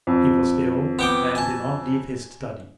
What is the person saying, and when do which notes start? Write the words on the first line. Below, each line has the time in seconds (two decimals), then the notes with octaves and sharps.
He was ill and did not leave his study.
0.07 F2
0.99 B3 G5 D6
1.35 G#5 A5